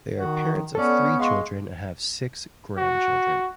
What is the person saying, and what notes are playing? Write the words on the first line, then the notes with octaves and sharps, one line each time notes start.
They are parents of three children and have six grandchildren.
D#3 F#4
B3 C#4 A4 D5
G#3 F5 C6 C#6
F#4